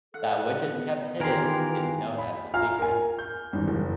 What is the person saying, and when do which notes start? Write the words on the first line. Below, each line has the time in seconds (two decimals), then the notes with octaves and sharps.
That which is kept hidden is known as the secret.
0.14 A4 F#5
0.67 B3
1.20 D#3 E3 F4 G4 A#4 G#5 C6
2.18 B5
2.54 F4 F5 G#5 A#5 F6
2.79 A#4 G#5
3.19 G6
3.53 G#1 E2 G2
3.68 F#1